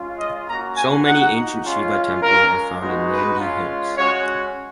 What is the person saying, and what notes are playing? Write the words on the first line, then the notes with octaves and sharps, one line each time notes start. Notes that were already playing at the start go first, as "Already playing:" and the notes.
So many ancient Shiva temples are found in Nandhi Hills.
Already playing: G#3 C#4 F4
D#5
A#3 C#4 F#4 A#5
G#5
A#3 D#4 F#4 F#5
G#3 C#4 F4
F5
G#3 C#4 F4 A#4
G#3 B3 D#4 F#4
B4
G#3 C#4 F4
G#3 C#4 F#4 C#5